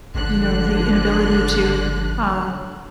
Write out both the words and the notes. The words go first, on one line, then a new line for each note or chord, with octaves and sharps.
you know, the inability to, uh,
G1 D3 F3 F#6